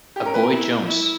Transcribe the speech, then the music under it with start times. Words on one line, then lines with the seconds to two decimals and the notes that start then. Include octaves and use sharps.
A boy jumps.
0.16 C#4 G4
0.26 A#4
0.34 B4
0.42 A#4
0.50 E4
0.84 E4